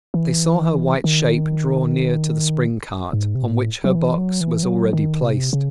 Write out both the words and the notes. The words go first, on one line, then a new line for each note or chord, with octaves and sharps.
They saw her white shape draw near to the spring-cart, on which her box was already placed.
E3
D#3
G#2
C3
A2
F#3
E3
F#3
E3
F#3
D#3
C3
C#3